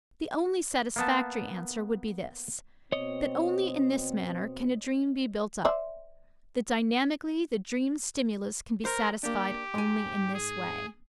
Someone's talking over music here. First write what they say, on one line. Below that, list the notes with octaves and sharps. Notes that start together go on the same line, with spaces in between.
The only satisfactory answer would be this, that only in this manner can a dream be built up, that dynamically the dream-stimulus can be satisfied only in this way.
A#3 B3 A5
B2 C4 C#5 D#5
C5 D5 E5
A#4 C5
A#3 D4 G4
G#2 G#5
G#4